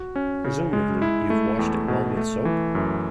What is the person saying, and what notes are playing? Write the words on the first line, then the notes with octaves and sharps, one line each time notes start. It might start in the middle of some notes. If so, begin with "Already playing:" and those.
Presumably you've washed it well with soap?
Already playing: F#4
C#4
C#3
G#3
E4
A3
E2
B2
A3
E3
F#2